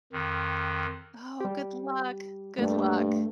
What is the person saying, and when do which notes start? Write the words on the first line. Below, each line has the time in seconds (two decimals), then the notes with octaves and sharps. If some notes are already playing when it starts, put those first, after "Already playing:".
Oh, good luck! Good luck.
0.13 F2 D#3
1.41 G3 G4
2.58 G2 G3 A3 A#3